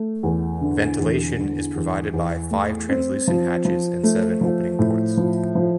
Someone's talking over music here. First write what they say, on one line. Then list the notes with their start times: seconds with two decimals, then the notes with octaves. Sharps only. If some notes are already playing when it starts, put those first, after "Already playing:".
Ventilation is provided by five translucent hatches and seven opening ports.
Already playing: A3
0.23 E2
0.61 D3
0.99 E2
1.37 D3
1.76 E2
2.13 E2
2.51 A3
2.89 C4
3.27 F3
3.65 F3
4.03 A3
4.41 F3
4.79 A2
5.17 F3
5.55 F3